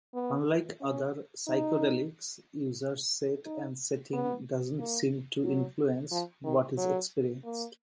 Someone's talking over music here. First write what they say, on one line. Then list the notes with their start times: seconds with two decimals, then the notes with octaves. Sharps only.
Unlike other psychedelics, users' set and setting doesn't seem to influence what is experienced.
0.14 B3
0.81 C#4
1.48 D#4
3.46 D#4
4.13 B3
4.79 A#3
5.45 F#3
6.11 F3
6.44 D#3
6.77 F#3
7.45 A#3